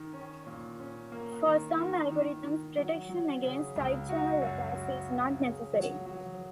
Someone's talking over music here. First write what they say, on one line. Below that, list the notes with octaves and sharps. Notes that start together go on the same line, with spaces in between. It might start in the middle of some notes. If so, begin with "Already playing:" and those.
For some algorithms protection against side-channel attacks is not necessary.
Already playing: D#3
C#4
A#2
C#4
A#3
D#3
D#3
D#3
D#3
F#3
F#3
C#3
C#2
F#4
F#2
F#4
F#4
C#3
F#3
F#3